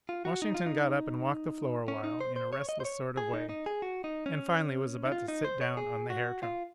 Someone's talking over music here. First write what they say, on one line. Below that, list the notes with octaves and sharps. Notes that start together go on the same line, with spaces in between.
Washington got up and walked the floor a while in a restless sort of way, and finally was about to sit down on the hair trunk.
F4
F#4
D#4
F4
D#4
C#4
D#4
C5
C5
C#5
D#5
C5
C#5
G#4
D#4
D#4
G#4
F#4
D#4
C#4
D#4
F4
D#4
C5
C#5
G#4
F#4
F4